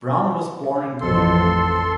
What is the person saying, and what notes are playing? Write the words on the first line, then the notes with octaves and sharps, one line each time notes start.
Brown was born in Guam.
A1 F2 A4 C6